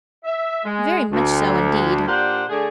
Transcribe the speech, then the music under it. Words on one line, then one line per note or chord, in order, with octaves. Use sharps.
'Very much so indeed.
E5
G#3
D2
A#2 D4 G4 A#4 C5 F#5
D3 A3 D4 G#4